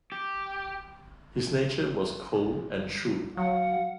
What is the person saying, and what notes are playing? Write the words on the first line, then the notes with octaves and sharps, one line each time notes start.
His nature was cold and shrewd.
G4
F#3 F5 F#5